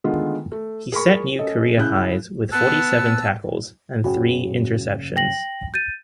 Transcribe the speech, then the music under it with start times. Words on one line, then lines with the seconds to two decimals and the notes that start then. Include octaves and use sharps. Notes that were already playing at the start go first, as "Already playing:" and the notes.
He set new career highs with forty-seven tackles and three interceptions.
0.04 D3 D#3 G#3 A3 B3 F4
0.52 A3
0.92 G#4 A#4 B5 C#6
1.39 C#4 A4 D#5
1.77 C#3 E4 G#4 F#6 G6
2.52 B3 A5 E6 F#6
4.04 F#1 C#3 F#4
5.16 G5 A#6 F#7
5.74 G6 A6 D#7